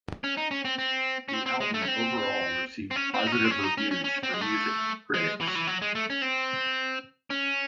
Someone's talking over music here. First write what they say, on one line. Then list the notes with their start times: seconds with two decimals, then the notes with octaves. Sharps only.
The album overall received positives reviews from music critics.
0.24 C#4
0.37 D#4
0.51 C#4
0.65 C4
0.79 C4
1.29 C#4
1.33 C4
1.46 C4
1.60 G#3
1.74 A3
1.82 C#4
1.88 C4
2.91 C4
2.96 C#4
3.14 C4
3.27 D#4
3.32 C#4
3.45 C4
3.51 C#4
3.63 D#4
3.78 C#4
3.91 C#4
4.04 C#4
4.23 C4
4.34 G#3
4.41 A3
5.14 G#3
5.41 E3
5.47 F#3
5.55 E3
5.67 F#3
5.82 G#3
5.95 A3
6.10 C#4
6.22 C4
7.30 C#4